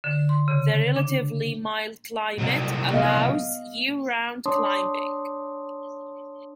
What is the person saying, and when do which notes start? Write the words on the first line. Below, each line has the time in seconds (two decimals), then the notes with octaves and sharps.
The relatively mild climate allows year-round climbing.
0.04 D3
0.29 C6
0.48 C#3
0.96 D4
2.38 C2 F#3
2.92 B3 D#5 F5
4.46 D4 C#5 A5 C6 D6 D#6